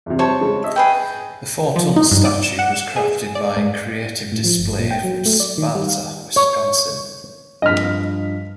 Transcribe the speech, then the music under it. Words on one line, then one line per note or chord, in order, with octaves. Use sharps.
The four-ton statue was crafted by Creative Display from Sparta, Wisconsin.
E2 C3
G3 C5 C#5 A5 C#6
C#3 G#3 C#4
D#5 E5
G#4 B4 G5
F3
D#4
G2
D5
E7
F#5
E7
G#4
D5
G#2
A2
F3
G1
A#2
G5
F#3
A3
D5
D#3
G3
F5
C#5
G2 F3 D#5 F6 B6